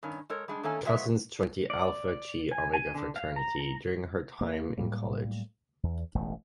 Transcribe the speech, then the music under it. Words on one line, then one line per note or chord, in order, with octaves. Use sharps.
Cousins joined the Alpha Chi Omega fraternity during her time in college.
G2 D#3 C#4
G#3 A4 A#4 C#5
G3 G#3 D4
D#3 A3 A#3 C#4 A4 G#5
F#3 G#3 B3 F#4 G#4 E5
D5
G#5
G#5
D3
F5
A#5
A#5
A#3
A2 F#3 G3 A#3
E2
E1 A1 E2 A3